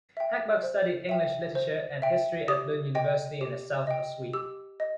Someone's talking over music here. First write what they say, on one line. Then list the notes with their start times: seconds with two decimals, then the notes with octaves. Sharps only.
Hagberg studied English literature and history at Lund University in the South of Sweden.
0.17 E5 G5
0.63 C5
1.09 E5 G5
1.55 C5
2.02 E5 G5
2.48 G4 D#6
2.95 D#5 G5
3.41 G4
3.87 D#5 G5
4.33 G4 E6
4.80 D#5